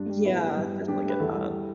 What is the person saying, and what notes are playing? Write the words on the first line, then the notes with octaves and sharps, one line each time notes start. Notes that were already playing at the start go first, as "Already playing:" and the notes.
Yeah, definitely get that.
Already playing: G2 D4
G3
A2 B3 E4
G3
G2
G3
G2 D4 G4
A3
B4
E2 E4 A4
G3
G3